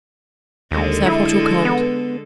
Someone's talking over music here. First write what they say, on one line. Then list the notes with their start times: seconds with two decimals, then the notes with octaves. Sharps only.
Serve hot or cold.
0.71 D#2 D3 G#3 A4
1.06 E4
1.65 B3